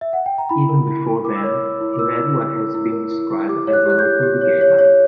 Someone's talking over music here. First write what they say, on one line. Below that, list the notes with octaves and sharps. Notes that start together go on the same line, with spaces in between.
Even before then, he led what has been described as "an openly gay life".
E5
F#5
G5
A#5
E4 B5
A#4
E4
E4
A#4 D6
E6
C#5 D6
A#4
E4
D6
A#4 E6
E4
E4
E4
E4
A#4
E4
E4
G4 D6
C#5
F#6
G4 F#6
G6
G4
G4
C#5
C#5
C#5